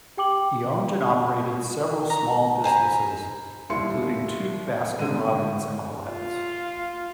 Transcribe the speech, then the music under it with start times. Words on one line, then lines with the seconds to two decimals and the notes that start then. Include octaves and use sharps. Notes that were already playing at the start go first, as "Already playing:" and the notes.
He owned and operated several small businesses, including two Baskin-Robbins outlets.
0.17 G4 G5 D6 F#7
2.10 A#5
2.64 C5 G#5 A#5 B5
3.70 D#2 G3 E4 E5 C6 C#7
4.99 G#2 D3 D#7
6.09 F4